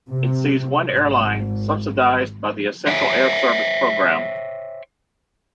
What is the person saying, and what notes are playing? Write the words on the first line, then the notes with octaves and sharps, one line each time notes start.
It sees one airline, subsidized by the Essential Air Service program.
C3
G#1
C5 C#5 E5 G5 G#5